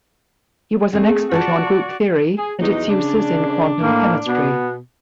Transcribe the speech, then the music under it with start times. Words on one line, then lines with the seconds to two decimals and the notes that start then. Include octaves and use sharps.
He was an expert on group theory and its uses in quantum chemistry.
0.93 A3 C4 G#4
1.31 F4 F#4 D5 G#5 A5
2.37 G#4
2.61 E2 F#3 G#3 D#4
2.89 C#3 D4
3.82 A2 A#3
4.27 B2 B3